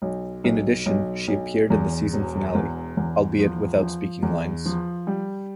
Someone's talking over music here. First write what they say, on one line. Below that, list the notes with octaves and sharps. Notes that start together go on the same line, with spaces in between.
In addition, she appeared in the season finale, albeit without speaking lines.
B1
B1
B1
B1
E2
E1
E2
E2
F3
F3
E2
F3
G3